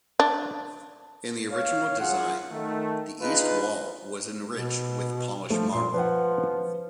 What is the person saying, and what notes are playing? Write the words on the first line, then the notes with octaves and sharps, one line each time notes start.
In the original design, the east wall was enriched with polished marble.
D4
C#5 F5
F#2 F4 G#4 F#5
D#3 A3
D4 D#4 F4 G#4 B4
B2
F3 A3
A#2 C6
F3 B4 F#5